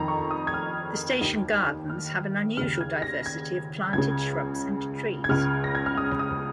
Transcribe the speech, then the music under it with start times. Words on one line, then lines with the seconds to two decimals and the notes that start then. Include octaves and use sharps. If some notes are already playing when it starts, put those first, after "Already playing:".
The station gardens have an unusual diversity of planted shrubs and trees.
Already playing: F2 D#3 A#5
0.08 C#6
0.31 D#6
0.47 G#6
0.54 F6
1.21 D#2 D#3
1.90 F6
2.57 D#2 C#3 F6
2.81 G#6
3.02 A#6
3.26 G#6
3.93 C#2 C#3 G#6
5.24 G#6
5.29 C#2 C#3 F6
5.64 A#6
5.75 G#6
5.86 F6
5.97 D#6
6.19 D#6